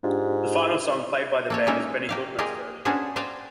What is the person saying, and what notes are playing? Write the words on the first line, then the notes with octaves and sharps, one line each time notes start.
The final song played by the band is Benny Goodman's version.
G#2 D4 F4 G4
A#3 A4 C#5
G#3 A#3 C#4 D#4 A#4 E5
A#3 G4 F5
F4 G4 G#4 A#4 D#5
B3 C#4 D4 F#4 G#4 C5
C5 D5 F5 G5 G#5 A#5